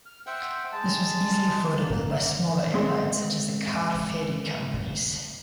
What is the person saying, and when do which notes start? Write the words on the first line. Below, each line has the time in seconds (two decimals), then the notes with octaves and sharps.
This was easily affordable by smaller airlines, such as the car ferry companies.
0.06 F6
0.26 C5 E5 F#5 G5
0.72 G#3 A5
1.75 A#3
2.74 G#3 C4 C6